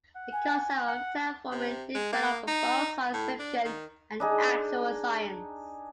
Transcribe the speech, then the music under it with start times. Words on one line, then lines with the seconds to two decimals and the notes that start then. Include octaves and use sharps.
The concept of terraforming developed from both science fiction and actual science.
0.15 F#5
0.32 G#5
0.88 F#5
1.51 C3
1.95 G#3
2.13 A#3
2.47 D#4
3.13 A2
3.39 D4
3.65 D#3
4.20 D4 D#4 G#4